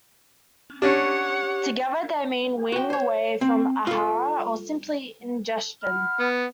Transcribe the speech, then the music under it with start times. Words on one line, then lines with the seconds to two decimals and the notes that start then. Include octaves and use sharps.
Together they mean "weaning away from ahara", or simply ingestion.
0.82 C#4 D4 G4 C#5 F#5
2.72 F#4 G5
2.90 C5 C#5
3.41 C4
3.87 F4 A4
5.82 F#5 B5 F6
6.20 B3